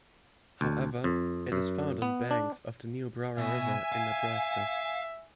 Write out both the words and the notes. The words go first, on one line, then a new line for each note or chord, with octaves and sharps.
However, it is found on banks of the Niobrara River in Nebraska.
D2
F2
F#2
B3
D4
B2 E5 G#5
F5